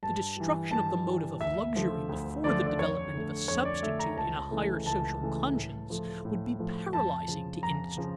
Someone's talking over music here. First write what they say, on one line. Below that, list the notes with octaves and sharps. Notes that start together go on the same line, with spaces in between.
The destruction of the motive of luxury before the development of a substitute in a higher social conscience, would be paralyzing to industry.
G2 A5
E3 G3
G2 A5
E3 G3
D2 E5
D3 F3 A3
D2
D3 F3 A3 D5
D5
F2 C#5
D3 A3
F2 C#5
D5
D3 A3 E5
A#5
C#2 A5
C#3 E3 A3
C#2 A5
C#3 E3 A3
A2
F3 A3
A2
F3 A3
F2 A5
C#3 F3
F2 A#5
C#3 F3